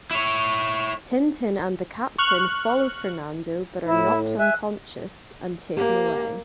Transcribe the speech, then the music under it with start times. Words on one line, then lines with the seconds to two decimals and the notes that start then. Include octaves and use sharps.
Tintin and the Captain follow Fernando but are knocked unconscious and taken away.
0.11 E4 C#5
2.18 C#6 F6 F#6
3.85 A2 E4
4.40 E5 G#5 F#6
5.77 A#3 G4 F#5 G#5